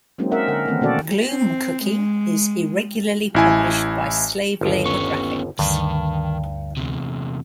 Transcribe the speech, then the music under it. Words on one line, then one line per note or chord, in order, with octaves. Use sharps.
"Gloomcookie" is irregularly published by Slave Labor Graphics.
F#3 G#3 A#3 C4 C#4 D#4
C4 A#4 E5 F#5
D3 A#4 F#5
D#3 E3 A3 B3 C4
B2 A#3 C#4 F#4 A4 D5
C4
G#3
A1 E4 G#5
G1 D#2
B3 C#4 C#6
D2 G2 D3 D#3 A#5
E2 C3